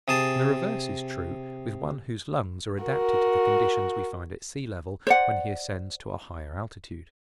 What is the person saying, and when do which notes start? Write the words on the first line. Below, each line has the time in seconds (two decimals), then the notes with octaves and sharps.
And the reverse is true with one whose lungs are adapted to the conditions we find at sea-level, when he ascends to a higher altitude.
0.08 C3 G#4 A5
2.84 F#4 A#4
5.07 C5 D5 F#5